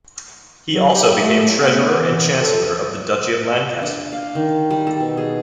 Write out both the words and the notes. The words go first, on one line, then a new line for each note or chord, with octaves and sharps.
He also became Treasurer and Chancellor of the Duchy of Lancaster.
F#3
G4
A3
B3
E3
A4
D4
F5
D#3
G3
A4
B2
G#4